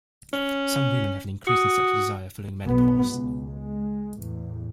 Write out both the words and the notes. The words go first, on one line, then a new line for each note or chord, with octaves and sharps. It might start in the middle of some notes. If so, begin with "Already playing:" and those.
Some women have an increase in sexual desire following menopause.
C#4
F#4 D#6
B1 B2 B3
C#2
G#3
E2 A2